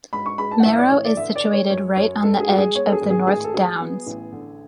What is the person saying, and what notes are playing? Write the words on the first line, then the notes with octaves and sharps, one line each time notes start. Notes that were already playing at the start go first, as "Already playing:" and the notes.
Merrow is situated right on the edge of the North Downs.
G#2 B5
C#6
G#3 B5
A5
F#5
A1 E5
D5
A1 C#5
D5
D3 E5
D5
G#3
C#5
F#2 C#5
F#2 C#5
G#2 A4
G#4
G#3 F#4
G#4
B3 C#5
A4
G#4
G#1
G#4
A2 G#4
A4
F#3 G#4
B3
A1
D3